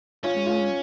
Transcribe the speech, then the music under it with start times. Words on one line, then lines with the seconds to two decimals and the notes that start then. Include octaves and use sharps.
I know.
0.24 C#4 F4
0.46 F4